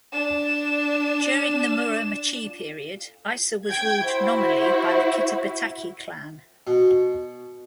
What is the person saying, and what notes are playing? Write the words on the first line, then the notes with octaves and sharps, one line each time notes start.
During the Muromachi period, Ise was ruled nominally by the Kitabatake clan.
D4 E7
G5 G#6
E4 F#4 C5
B2